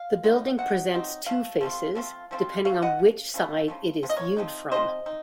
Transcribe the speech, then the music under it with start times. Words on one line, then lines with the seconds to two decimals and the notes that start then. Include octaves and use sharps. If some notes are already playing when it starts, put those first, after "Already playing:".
The building presents two faces, depending on which side it is viewed from.
Already playing: F5
0.24 F#3 C4 D#4
0.58 F#3 C4 D#4 F#5
0.93 F#3 C4 D#4
1.26 F3 A3 F5
1.61 F3 A3 C4 F4
1.95 F3 A3 C4 F4
2.31 F3 A3 C4 F4
2.65 C#3 F3 A3 C#5 F5
2.82 D#5 F#5
2.99 C#3 F3
3.34 C#3 F3 A3
3.68 C#3 F3 A3
4.03 C3 F3
4.10 D#5
4.17 A#4 C#5
4.37 C3 F3 C4 D#4
4.72 C3 F3 C4 D#4 C5 D#5
5.06 C4 D#4